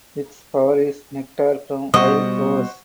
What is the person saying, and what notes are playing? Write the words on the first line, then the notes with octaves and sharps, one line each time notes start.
Its power is nectar from wild flowers.
B2 G3 C5 D#5 F#5 C#6 D#6